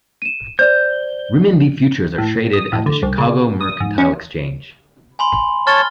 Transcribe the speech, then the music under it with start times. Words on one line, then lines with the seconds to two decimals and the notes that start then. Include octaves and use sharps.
Renminbi futures are traded at the Chicago Mercantile Exchange.
0.22 D#7 E7
0.59 C5 D5 G6
2.18 A2
2.53 D#6
2.73 A2
2.86 D3
3.03 C2
3.18 C#3
3.61 D#6
3.80 G#2
3.98 C#4
5.19 G#5 B5 C6
5.67 C#5 A5 F6 A6 G7